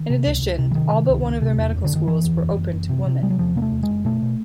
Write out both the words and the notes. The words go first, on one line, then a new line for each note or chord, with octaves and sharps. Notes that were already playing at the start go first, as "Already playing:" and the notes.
In addition, all but one of their medical schools were open to women.
Already playing: D#3
C3
C#2
C#2
C3
E3
C3 D#3
C3
C#2
C#2
C3
E2
F#1
D3
F#1 D#3
F#1 E3
E2
F#1
F#1
F#1
C3
C3
C3 G3
F#3
E2 F3
C3 A#3
A3
E2
G#3
F#1
B2 A3
B2